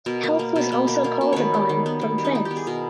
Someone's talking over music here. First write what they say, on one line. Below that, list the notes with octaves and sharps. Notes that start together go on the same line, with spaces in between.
Help was also called upon from France.
B2 A#4
A#3
A#3
B2
B2
A#3
A#3
B2
D#3 B4 C#5
G3
D#3
B3
D#3
G3
D#4
D#3 E4
G4
B3
G#4
B2 A#4